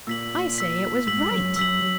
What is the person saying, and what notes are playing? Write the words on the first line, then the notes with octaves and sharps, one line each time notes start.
'I say it was right.
A#2 A#3 E6 B6 F#7
E6 B6 F#7
G#2 G#3 E6 B6 F#7
F#2 F#3
F#2 F#3 E6 B6 F#7
F#3